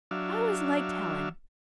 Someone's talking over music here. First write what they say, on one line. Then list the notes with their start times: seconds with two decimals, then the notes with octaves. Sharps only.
I always liked Helen.
0.11 F#3 D4 E5 F5